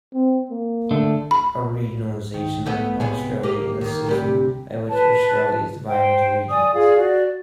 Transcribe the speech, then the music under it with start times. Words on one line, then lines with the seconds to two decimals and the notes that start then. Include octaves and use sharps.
A regionalisation of Australia is a system by which Australia is divided into regions.
0.14 C4
0.51 A#3
0.91 D3 A3
1.31 B5
2.34 D#3
2.66 A3 B3 D#5
3.00 C3 B3 G#4
3.43 A#3 G4 D#5
3.81 D#3 A#3
4.06 D2 C3 G3
4.90 B4 A5
5.88 C5 G5
6.50 D5 G#5 D#6
6.74 F4 G#4 D5 F5
6.96 F#4 D5